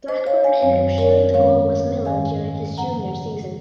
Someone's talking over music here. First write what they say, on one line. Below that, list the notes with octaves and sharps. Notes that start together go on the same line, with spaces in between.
Blackburn ended up sharing the goal with Miller during his junior season.
C5 D#5
C#5 F5
F5 G#5
F#2 D#3 F#3 C4 C#5 F5
A#4 C#5
G#2 D#3 G#3 C#4 C#5 F5
G#2 D#3 G#3 C#4 F5 G#5
C#3 F3 A#3 C#4 F#5 A#5